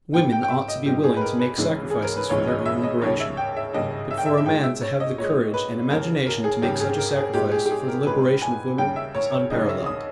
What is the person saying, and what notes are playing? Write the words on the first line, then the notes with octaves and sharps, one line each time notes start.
Women ought to be willing to make sacrifices for their own liberation, but for a man to have the courage and imagination to make such a sacrifice for the liberation of women is unparalleled.
A#2 G3 G5
G5
G5
E5
D#5
A#2 G3 G4
G#4
B4
A#4
B4
C#2 C#3 E3 G#3
G#4
A#4
B4
C#2 C#3 E3 G#3 C#5
D#5
E5
D#5
D#2 C#3 G3 C#5
E5
G5
E5
D#2 C#3 G3 D#5
E5
G5
E5
E5
A#2 G#3 G5
E5
C#5
D#5
A#2 G#3 C#5
B4
D#2 C#3 G3 A#4
A#4
G#4
D#2 C#3 G3 G4
G#4
A#4
G#4
A#2 G#3 G4
G#4
G4
G#4
A#4
A#2 G#3 B4
G#5
D#2 C#3 G3 G5
E5
C#5
C#5
D#2 C#3 G3 D#5
E5
D#6